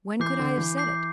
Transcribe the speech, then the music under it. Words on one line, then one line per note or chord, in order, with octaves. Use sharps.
"When could I have said it?"
E3 D6 G6 C7
D3
E3
D6 G6 C7